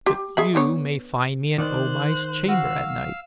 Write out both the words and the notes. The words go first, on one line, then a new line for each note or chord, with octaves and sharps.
But you may find me in O-Mai's chamber at night.
G4
G#4 E5 B5
D3 B3 C#5
D#3 C5 D5 F#6
F#4 F5 E6